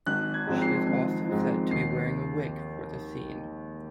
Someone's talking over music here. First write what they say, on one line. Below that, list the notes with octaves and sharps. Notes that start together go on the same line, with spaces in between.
She is also said to be wearing a wig for the scene.
G#1 F#6
G#6
G#2 F3 C4
C7
G#1
G#2 F3 C4
D#2 C7